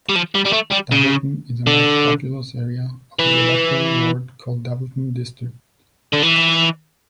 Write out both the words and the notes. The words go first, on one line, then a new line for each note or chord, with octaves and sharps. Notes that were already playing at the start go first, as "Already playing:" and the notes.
Dulverton is the most populous area of the electoral ward called 'Dulverton and District'.
G3
F3
G3
G3
A3
G3
C#3
D3
E3
D3
E3